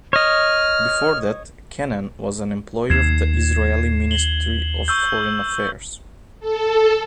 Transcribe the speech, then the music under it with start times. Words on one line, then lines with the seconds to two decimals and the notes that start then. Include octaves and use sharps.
Before that, Kenen was an employee of the Israeli Ministry of Foreign Affairs.
0.13 C#5 D#5 F6
2.90 D#2 G#6 C7 E7
4.11 F#7 G7
4.88 C#6 E6 G6
6.40 A4